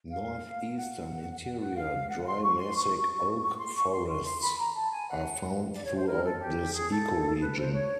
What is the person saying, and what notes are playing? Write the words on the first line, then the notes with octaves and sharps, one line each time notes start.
Northeastern interior dry-mesic oak forests are found throughout this ecoregion.
F5
F#5
F#5
F#5
F5
F#5
C6
C#6
C6
C#6
C#6
C6
C#6
C6
C6
C6
B5
A#5
A5
G#5
F#5
D5
C#5
C5
A#4
A4
G4
G#4
A4
B4
C5
C#5